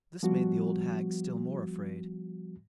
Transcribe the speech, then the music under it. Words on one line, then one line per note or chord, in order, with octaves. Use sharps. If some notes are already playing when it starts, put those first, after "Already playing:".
This made the old hag still more afraid.
F3 G3 B3 F#4